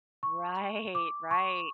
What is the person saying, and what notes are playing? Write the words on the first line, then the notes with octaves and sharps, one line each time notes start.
Right. Right.
C#6
D6
C#6